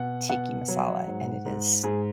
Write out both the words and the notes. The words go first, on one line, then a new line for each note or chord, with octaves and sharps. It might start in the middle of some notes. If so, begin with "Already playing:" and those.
tiki masala and it is
Already playing: B2 F#5
B2 F#5
F#3
G#2
G#2
G#2 G#4